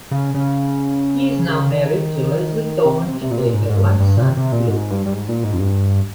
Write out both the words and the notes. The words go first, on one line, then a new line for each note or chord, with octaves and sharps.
He is now married to Lesley Thorne and they have one son, Luke.
C#3
C#3
C#3
D#3
C3
C3
C3
A#2
C3
A#2
G#2
G#2
G2
G2
A#2
C3
C3
A#2
G#2
G2
G2
G#2
A#2
G#2
F2
G2